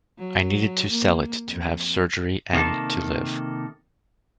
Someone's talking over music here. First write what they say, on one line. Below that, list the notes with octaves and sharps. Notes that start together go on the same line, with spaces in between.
I needed to sell it to have surgery and to live.
F#3
A#3
F2
C3 D#3 A#3 A4